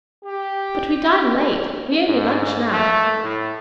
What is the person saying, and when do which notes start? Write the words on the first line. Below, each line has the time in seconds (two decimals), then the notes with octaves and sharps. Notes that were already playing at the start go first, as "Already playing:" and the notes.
But we dine late, we only lunch now.
0.24 G4
2.08 G#2
2.71 A3
3.23 A2